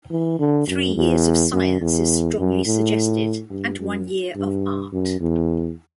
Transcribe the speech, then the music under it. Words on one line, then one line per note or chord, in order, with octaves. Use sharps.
Three years of science is strongly suggested, and one year of art.
E3
D3
F#2
E2
F#2
E2
F#2
A2
G2
F#2
G2
F#2
E2